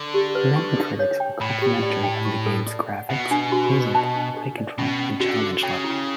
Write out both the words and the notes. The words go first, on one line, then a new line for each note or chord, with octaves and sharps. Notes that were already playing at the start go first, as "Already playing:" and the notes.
Many critics were complimentary of the game's graphics, music, play control, and challenge level.
Already playing: D3
G4
B4
C#6
A4
C#5
G5
A2 B5
G4
D5
G5
C#6
A4
D5
F#5
B2 F#5
D4
F#4
B4
A5
D4
A4
D5
B2 C#4
C#4
D3 F#4
A4
C#3 G5
E4